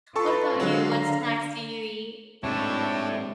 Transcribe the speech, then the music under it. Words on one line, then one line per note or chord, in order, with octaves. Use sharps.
what about you, what snacks do you eat?
F4 A4 B4 A5 C#6
D3 F#3 G#3 F5
A#5
G#2 C3 A3 D4 E4 C#5 G5 A5